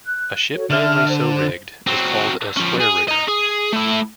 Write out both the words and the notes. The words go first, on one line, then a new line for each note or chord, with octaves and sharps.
A ship mainly so rigged is called a square-rigger.
F#6
F#4 A4 C#5
D3 E5 F6
C5
F#3 C4
F3 C#4
G#4
D#5 A#5
G#4
A3 E4